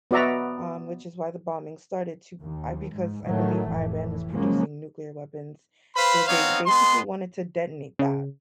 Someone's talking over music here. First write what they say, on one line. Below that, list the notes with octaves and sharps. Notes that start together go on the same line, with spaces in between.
um, which is why the bombing started to I because, I believe, Iran was producing nuclear weapons, so, they basically wanted to detonate that.
B3 F#4 D5 E5 A#5
D#2
G#2
A2 D#3 F#3 A3
F1 A2 E3
C#3 F3 F#3 G#3 A#3 C#4
B4 C5 F5 B5
B3 C4 D#4 C#5 F5
G#3 B3 C6
C#3